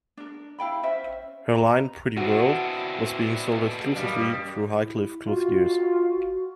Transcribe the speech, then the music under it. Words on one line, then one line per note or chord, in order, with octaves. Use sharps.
Her line, Pretty World, was being sold exclusively through Highcliffe Clothiers.
D4 A#4
E4 F5 G5 B5
C#4 C5 E5
B4 A#5
B2 C4 D4 E4 F#4
F#2 G3 B4 D#5 F5
E4
F4 F#4
F#4